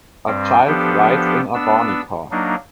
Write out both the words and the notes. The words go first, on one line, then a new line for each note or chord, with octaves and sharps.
A child rides in a Barney car.
G2 G3 C4
F3 B3 D4 G4 A4
B3 D4 E6
F#3 A#3 D4 D#4